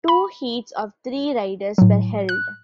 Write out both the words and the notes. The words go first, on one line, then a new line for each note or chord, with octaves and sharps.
Two heats of three riders were held.
B5
A2 F#3
F#6